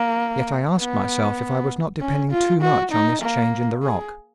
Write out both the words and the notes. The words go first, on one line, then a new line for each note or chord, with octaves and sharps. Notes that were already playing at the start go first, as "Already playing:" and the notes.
Yet I asked myself if I was not depending too much on this change in the rock.
Already playing: A#3
B3
C#4
F4
F#4
D#4
A#3
G#4